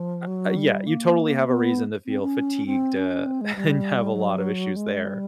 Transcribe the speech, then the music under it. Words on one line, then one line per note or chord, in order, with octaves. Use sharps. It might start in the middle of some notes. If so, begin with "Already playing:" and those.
uh, uh, yeah, you totally have a reason to feel fatigued, uh, and have a lot of issues there.
Already playing: F3
F#3
G3
A#3
B3
C4
C#4
C4
C#4
C4
G#3
G3
F#3
G#3
G3